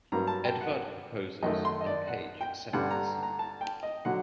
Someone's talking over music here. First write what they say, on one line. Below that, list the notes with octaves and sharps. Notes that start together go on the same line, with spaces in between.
Edvard proposes and Paige accepts.
G2 F#3 A#3 A#5
A5
G5
F#5
F#2 D#3 A3 D#5
C6
D#5
D5
F#5
G5
G2 D3 G3 F#5
A#5
A#5
A#5
A5
G5
D#5
D3 F#3 F#5